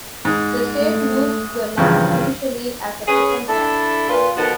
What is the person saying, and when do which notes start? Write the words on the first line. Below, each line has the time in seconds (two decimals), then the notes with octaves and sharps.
The state used the land initially as a prison camp.
0.25 G#2
0.80 A3
1.78 E2 G2 C#3 F3
3.08 C#4 G#4 B4
3.48 D4 E4 A4
4.09 A#2 F4 B4
4.36 B2 D#3 F3 B3 F#4 A4